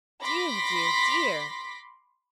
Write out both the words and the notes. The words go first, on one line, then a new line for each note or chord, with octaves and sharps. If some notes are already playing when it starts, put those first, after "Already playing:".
"Dear, dear, dear!"
B5 C6 D6 A#6 B6